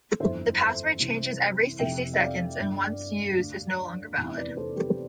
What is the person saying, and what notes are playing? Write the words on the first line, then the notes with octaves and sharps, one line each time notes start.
The password changes every sixty seconds and once used is no longer valid.
G1 F2 E3 C5 E5
C2 C3 E3
F1 F2 C3 E3 E5 G5
E5
D5 F5
G1 G2 D3
D2 D3
F1 E2 C3 E3
B4 D5
A4 C5
G4 B4